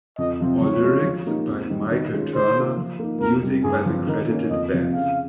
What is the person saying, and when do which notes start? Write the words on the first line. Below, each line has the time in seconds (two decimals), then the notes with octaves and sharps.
All lyrics by Michael Turner, music by the credited bands.
0.18 F2 D#5
0.40 C3 F3 C4
0.61 F3 C#5
0.83 G#3 C#4 F4
1.04 F3
1.26 A#3 D#4 G4
1.48 F2
1.70 D#3 G3 C4
1.91 D#3
2.13 G#3 C#4 F4 G#4
2.34 D#3 C5
2.56 A#3 F4
2.77 F3
2.99 A#3 D#4
3.20 F2 A#4
3.43 C3 G3
3.64 G2 G#4
3.86 F3 C4
4.07 D#3 A#4
4.29 A#3 C#4
4.50 F2 D#5
4.72 C3 F3
4.94 C#3 F5